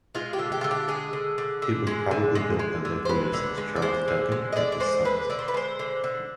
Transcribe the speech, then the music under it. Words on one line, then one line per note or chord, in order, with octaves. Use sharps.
It was probably built by local masons Charles Duncan and his sons.
G#3 F4
G4
D3
G4
D3 F4
G4
G#3 G#4
D3
D3
D3
G#3
D3
G#3
G#3
D3
C5
G#3 B4
D3
G#3
D5
G#3 C5
D3
G#3
D#5
D3 D5
D5
G#3 C5
D3 B4
D3 D5
C5
B4
G#3 C5
D3
D3